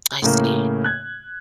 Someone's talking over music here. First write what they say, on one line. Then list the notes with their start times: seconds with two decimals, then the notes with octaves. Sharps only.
I see.
0.22 A2 C#3 A#3
0.84 F#6 G#6